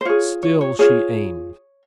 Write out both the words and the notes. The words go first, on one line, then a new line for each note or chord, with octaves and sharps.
Still she aimed....
C5
F4 G#4 C#5
C#5
C#5
F4 G#4 C#5